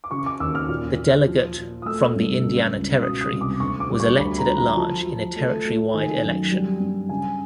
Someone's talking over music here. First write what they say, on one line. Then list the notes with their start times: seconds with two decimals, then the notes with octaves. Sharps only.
The delegate from the Indiana Territory was elected at large in a territory-wide election.
0.04 D6
0.11 C#3 C#6
0.26 D6
0.40 D#2 E6
0.55 F6
0.69 A#2
0.99 A#2
1.27 F3
1.57 A#2
1.82 D#6
1.85 A3 E6
2.16 G2
2.44 C#2
2.74 C#2
3.02 B2 D#6
3.21 D#6
3.32 C2
3.41 D6
3.60 D2 C#6
3.80 D6
3.90 G3
4.00 C#6
4.18 D2 B5
4.38 A#5
4.47 F3
4.58 A#5
4.76 F3 A5
5.07 F3
5.36 A3
5.65 A3
5.93 D#3 G#5
6.22 F#2
6.51 G3
6.80 G2
7.09 C#3 G#5